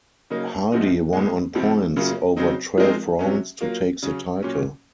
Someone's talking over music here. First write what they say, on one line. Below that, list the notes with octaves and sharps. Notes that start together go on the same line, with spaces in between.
Hardy won on points over twelve rounds to take the title.
C#3 F#3 A#3 D#4
F#2 F3 C4 D#4 F#4
C2 A#2 G#3
C#2 C3 F3 C4
F#2 C#3 F#3 A#3 F4
C#3 F#3 C4 D#4
F3 G#3 C4 D#4 A#4
C3 F#3 C#4
F#3 A#3 F4
C#3 F#3 C#4
A#2 F#3 C#4